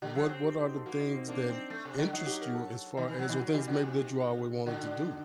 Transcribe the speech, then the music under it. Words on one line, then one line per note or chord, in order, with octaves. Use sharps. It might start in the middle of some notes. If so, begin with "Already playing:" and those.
what what are the things that'll interest you as far as or things maybe that you always wanted to do?
D3 G4
F#3 A4
C4 A4
G4
D#4
F#4
A4
A#3 F#4
D#4
C4
A#3 D4
C4
A3
C3
D3
F#3 D#4
G4
A#4
A4
D#3
D#3
F#3
D#3
F#3 F#4
D#3 G4
D3 F#4
C3 D#4
D3 F#4
D#4
D4
D#4